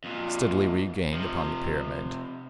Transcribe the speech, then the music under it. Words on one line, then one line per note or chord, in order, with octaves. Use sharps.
Steadily we gained upon the pyramid.
F2 A#2
C3 F3